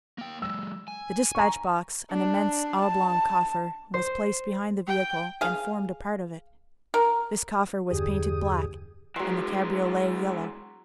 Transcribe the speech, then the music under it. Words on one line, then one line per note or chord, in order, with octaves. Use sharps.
The despatch box, an immense oblong coffer, was placed behind the vehicle and formed a part of it. This coffer was painted black, and the cabriolet yellow.
A#3 G5
F#3 G#3 E6
G#5
A#5 C#6
D4
A5
C5
G5
G#4 F5
A#4
E2 G2 D3 G4 G#4 D#6
E3 F#3 G#3 C6